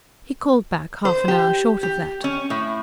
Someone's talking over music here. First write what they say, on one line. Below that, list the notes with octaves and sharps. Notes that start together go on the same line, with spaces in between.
He called back half an hour short of that.
C5
G4
G4
C#4
A2